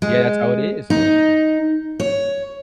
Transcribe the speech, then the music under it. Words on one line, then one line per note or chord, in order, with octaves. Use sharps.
Yeah, that's how it is. Yeah.
G#3
D#4
C#5